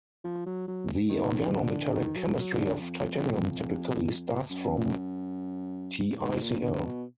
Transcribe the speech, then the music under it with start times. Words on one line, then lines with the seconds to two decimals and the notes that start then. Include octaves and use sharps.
The organometallic chemistry of titanium typically starts from TiCl.
0.25 F3
0.46 F#3
0.68 F#3
1.09 D#3
1.53 D3
1.95 D#3
2.16 F#3
2.32 F3
2.37 F#3
2.59 D3
2.80 F2
4.50 F#2
6.20 G#2
6.42 A#2
6.62 D3
6.84 B2